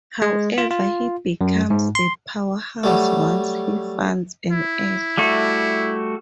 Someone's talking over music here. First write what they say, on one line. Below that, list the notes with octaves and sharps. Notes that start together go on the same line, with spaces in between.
However, he becomes a powerhouse once he finds an egg.
G#3
F4
F4
F#2
G#2
C6
F#3 G3 A3
E4
G3 A3 F#4